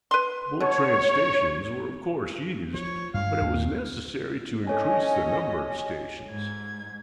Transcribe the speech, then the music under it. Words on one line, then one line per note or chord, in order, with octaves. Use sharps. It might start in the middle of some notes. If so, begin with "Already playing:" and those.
The bull-train stations were of course used, but it was necessary to increase the number of stations.
B4 C6
B2 C#5
F3 C#5
G2 G#3 F5
D#2 A#3
C#4 A4 C#5 D#5 G#5
G#2 G#6